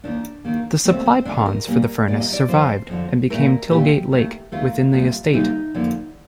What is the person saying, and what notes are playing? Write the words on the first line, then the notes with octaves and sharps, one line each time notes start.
The supply ponds for the furnace survived and became "Tilgate Lake" within the estate.
D#2 D#3 A#3 D4
D#2 D#3 A#3
D#2 D3 A3 C4
C4
D#2 D3 A3 D4
A#4
A#2 G3 A#3
A#2 G3 A#3 D5
D#5
D5
F2 D3 F3 C5
F2 D3 F3
A#2 A3 A#4
A#2 A3 G4
D#2 D#3 A3
D#2 D#3 A3 F4
D2 C3 G3 A#3
D2 C3 G3 A#3 D#4
F2 D3 F3 A#3